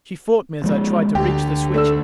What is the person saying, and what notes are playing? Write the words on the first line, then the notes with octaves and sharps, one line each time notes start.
She fought me as I tried to reach the switch.
F3 G#3
D2 G4
A3 D4 E6